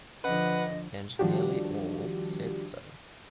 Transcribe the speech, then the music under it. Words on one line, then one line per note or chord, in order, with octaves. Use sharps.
And nearly all said so.
D3 F3 B4 D#5 F#5
D#3 F3 G3 D4 F#4 G4